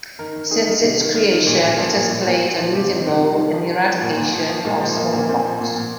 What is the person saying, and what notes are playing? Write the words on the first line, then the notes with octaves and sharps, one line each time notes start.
Since its creation, it has played a leading role in the eradication of smallpox.
D#3 A#4
D#3
D#3 G#4
D#3
C3
D#3
D#3
D#3
A#2
A#2
F3
A#2
A#2
A#2
A#2
F3
C3 G4
C3 D#4
C4
C3 D4
C3 G3
F3
F3
F3
F3
A#2
A#2
F3
F3
A#2 G#3
F3
A#2 A#3
A#2
A#2 C4
F3
A#2
A#2